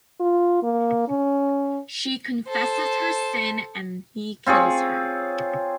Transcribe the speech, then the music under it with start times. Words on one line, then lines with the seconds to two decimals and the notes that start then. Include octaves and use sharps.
She confesses her sin and he kills her.
0.20 F4
0.63 A#3
1.08 C#4
2.47 A4 C5
4.46 C4 F4 G#4 C#5